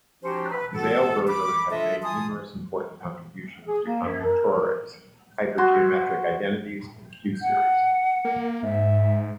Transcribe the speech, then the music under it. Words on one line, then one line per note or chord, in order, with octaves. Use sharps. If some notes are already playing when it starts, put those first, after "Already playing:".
Zeilberger has made numerous important contributions to combinatorics, hypergeometric identities, and q-series.
F3 C#4 D#4 F#4 G4 C5
B4
G#3 B3 F#4 A4
B5 D6
D4 F4 A4 D#5 E5
F4 G#5 A5 C6 D#6
G#4
A#3
F#2
A#4
F#4 C6
F#5
A#3
G#2 E5